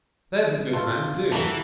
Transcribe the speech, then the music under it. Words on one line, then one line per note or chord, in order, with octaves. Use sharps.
'There's a good man, do.'
A3 F4
E3 A3 A#3 F#4